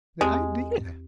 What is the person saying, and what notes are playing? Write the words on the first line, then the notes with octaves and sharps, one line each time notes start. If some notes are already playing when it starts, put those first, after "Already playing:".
The idea!
E2 G#3 C4 G4